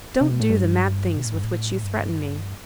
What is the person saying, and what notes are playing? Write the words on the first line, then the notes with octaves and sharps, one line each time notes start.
Don't do the mad things with which you threaten me.
C3
B2
A2
G2
B2
A2
G2
A2
G2